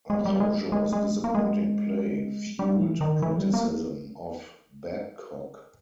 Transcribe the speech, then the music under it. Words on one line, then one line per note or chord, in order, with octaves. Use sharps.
Araujo's disappointing play fuelled criticism of Babcock.
G#3
G3
G#3
G#3
G#3
A#3
G#3
G3
E3
D#3
E3
G3
A#3